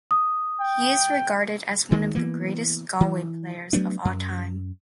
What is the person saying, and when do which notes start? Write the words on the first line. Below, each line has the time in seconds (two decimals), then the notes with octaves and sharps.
He is regarded as one of the greatest Galway players of all-time.
0.11 D#6
0.60 G5
1.91 D2 D#3 G#3 A#3
2.15 E3 A#3 B3
3.01 E3
3.73 F#3 A3 B3 D4
4.05 F#2